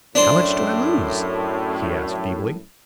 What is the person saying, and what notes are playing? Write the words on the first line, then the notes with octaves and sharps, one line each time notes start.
'How much do I lose?' he asked feebly.
F#2 A2 D4 C5